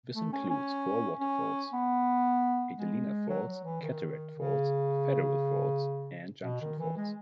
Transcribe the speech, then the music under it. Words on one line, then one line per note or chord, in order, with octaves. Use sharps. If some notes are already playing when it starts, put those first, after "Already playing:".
This includes four waterfalls: Adelina Falls, Cataract Falls, Federal Falls and Junction Falls.
A3
C#4
C#4
C#4
B3
G#3
F#3
F#3
E3
D#3
C#3
B2
D#3
E3
G#3